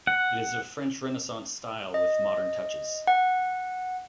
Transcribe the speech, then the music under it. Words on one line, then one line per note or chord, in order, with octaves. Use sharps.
It is of French Renaissance style with modern touches.
F#5
D#5
F#5